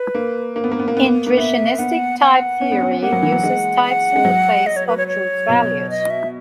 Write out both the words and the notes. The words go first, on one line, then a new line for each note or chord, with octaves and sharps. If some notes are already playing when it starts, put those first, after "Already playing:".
Intuitionistic type theory uses types in the place of truth values.
Already playing: B4
A#3
A#3
B3
A#3
B3
A#3
B3
A#3
A#3
B3 E5
B3 F#5
F#5
C#4
B3
C#4
C#4
A#3 F#5
F#3
E3
F#3
G#3
F#5
G#3
F#3
D#5
C#5
B4
C#5
C#5
B2
D#5
E5